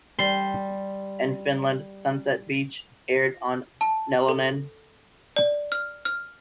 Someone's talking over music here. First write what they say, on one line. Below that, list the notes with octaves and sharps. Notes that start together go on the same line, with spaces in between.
In Finland "Sunset Beach" aired on Nelonen.
G3 C6
A5
A4
D5
F6
F6